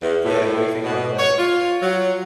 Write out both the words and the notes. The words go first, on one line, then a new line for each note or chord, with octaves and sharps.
Yeah, what do you think about that?
E2
A2
B2
C#5
F4
F#3